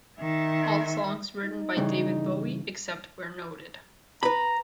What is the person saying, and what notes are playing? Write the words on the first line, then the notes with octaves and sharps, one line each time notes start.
All songs written by David Bowie, except where noted.
D#3 E5
D#4
G2 C#3 E3
B4 A#5 B5